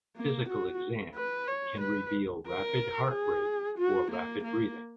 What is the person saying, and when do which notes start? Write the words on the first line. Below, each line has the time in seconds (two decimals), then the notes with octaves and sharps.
Physical exam can reveal rapid heart rate or rapid breathing.
0.17 A#3
0.49 F#4
1.15 B4
1.47 C#5
1.80 B4
2.47 A#4
3.12 G#4
3.78 F#4
4.12 A#3
4.44 A#3